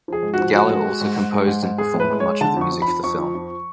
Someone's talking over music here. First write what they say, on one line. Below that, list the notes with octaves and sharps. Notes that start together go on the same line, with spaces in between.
Gallo also composed and performed much of the music for the film.
F3 G#4
G#2
F#4
F3
G#2 F#4
G#3
G#3
G#2
G#2
G#3
G#2
G#2
G#3 G#4
A2
B4
G#3
C#5
G#3
D3 A5
F2 C#6
F2
B5
F2
F2 C#6
F3
F2